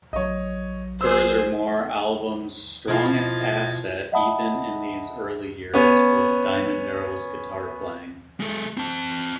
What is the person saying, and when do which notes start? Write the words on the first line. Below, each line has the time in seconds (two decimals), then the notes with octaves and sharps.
Furthermore, album's "strongest asset" even in these early years was Diamond Darrell's guitar playing.
0.13 A#1 F#3 C#5 D#5
1.01 G#4 C5 E6
2.88 B2 F3 E4 F4 D#5 G#6 A6
4.12 D#5 E5 F#5 A5 B5 D#6
5.74 B3 C#4
8.40 G#3 A4
8.77 C4 A5